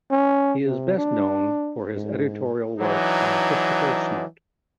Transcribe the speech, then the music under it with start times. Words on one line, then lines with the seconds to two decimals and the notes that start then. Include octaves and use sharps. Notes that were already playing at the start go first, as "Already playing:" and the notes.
He is best known for his editorial work on Christopher Smart.
0.11 C#4
0.64 C3
0.98 D4
1.94 G#2
2.80 E3 F#3 D4 D#4